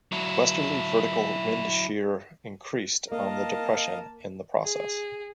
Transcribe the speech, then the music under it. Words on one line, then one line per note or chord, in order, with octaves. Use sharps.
Westerly vertical wind shear increased on the depression in the process.
F#3 E4
A#3 A#4 D#5 F5 A5
G#4